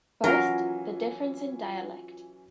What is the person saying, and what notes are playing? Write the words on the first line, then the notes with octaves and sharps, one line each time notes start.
First, the difference in dialect.
E3 F#3 C#4 F4 A#4 G#5